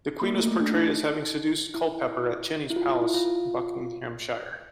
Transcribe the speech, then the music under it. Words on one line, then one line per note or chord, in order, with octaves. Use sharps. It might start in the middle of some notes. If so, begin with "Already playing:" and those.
The Queen was portrayed as having seduced Culpeper at Chenies Palace in Buckinghamshire.
A#3
A3
A3
D4
D#4
E4
E4
F4
F4
E4
F4